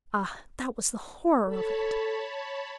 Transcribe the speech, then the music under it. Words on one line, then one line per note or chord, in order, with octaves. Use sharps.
Ah, that was the horror of it!
A4 C#5 A5 B5